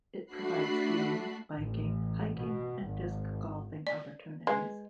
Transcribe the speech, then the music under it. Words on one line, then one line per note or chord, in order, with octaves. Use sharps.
It provides skiing, biking, hiking, and disc golfing opportunities.
A3 D4 F#4 B5 F#6 C7
A1
B2
G#1
D5
G#3 B4